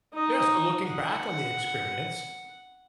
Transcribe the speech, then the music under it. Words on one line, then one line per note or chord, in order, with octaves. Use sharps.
Yes, so looking back on the experience,
D#4 D#5
F#5